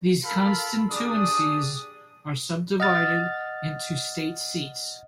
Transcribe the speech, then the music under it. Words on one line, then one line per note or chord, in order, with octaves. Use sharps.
These constituencies are subdivided into state seats.
F4 A4 A#4 F5 A5 B5
D4 G4 G#4 D5 D#6
D#5 F#5 F6 A6